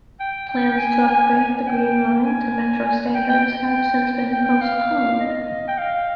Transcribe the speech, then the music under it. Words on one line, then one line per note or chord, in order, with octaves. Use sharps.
Plans to upgrade the Green Line to Metro standards have since been postponed.
G5
G5
G#5
G#5
G5
G#5
G5
G5
G5
G5
F5
D#5
G5
F5